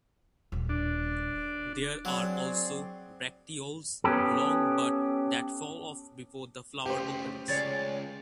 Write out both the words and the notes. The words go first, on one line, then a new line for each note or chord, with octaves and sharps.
There are also bracteoles long but that fall off before the flower opens.
D#1
D4
F#3 C4 G#4 D5
B3 C#4 G4 A4
C#3 A3 G4 C5
C#2 G#4 C#5 D5 A6